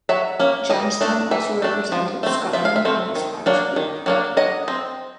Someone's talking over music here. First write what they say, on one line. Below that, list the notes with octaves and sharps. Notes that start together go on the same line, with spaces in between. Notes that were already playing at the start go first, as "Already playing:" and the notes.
Johnstone also represented Scotland and the Scottish League.
F#3 E5
A#3 C#4
E3 D#5
A3 D4
E3 E5
A3 D4
F3
A3 C4
F3 E5
F5
E5
A3 C4
D#3
F#3 A#3 D4
D#3
F#3 A#3 D4
F#3 D#5
C4